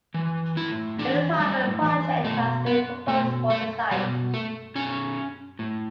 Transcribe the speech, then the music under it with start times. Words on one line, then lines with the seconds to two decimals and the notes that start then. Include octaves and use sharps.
An apartment project has been proposed for the site.
0.14 E3
0.56 A2 E4
0.99 E3 D4
1.40 A2 G3
1.81 E3
2.24 B2 A3
2.66 B3
3.07 B2 A3
3.50 A3
3.91 B2 G3
4.34 A3
4.75 B2 C#4
5.59 A2